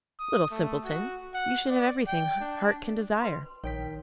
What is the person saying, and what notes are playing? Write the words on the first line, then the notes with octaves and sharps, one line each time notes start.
'Little simpleton, you should have everything heart can desire.'
D#6
A3
F#4
F#5
D5
G5
D4
B4 C6
A#1 D#3 C#5 G5 B6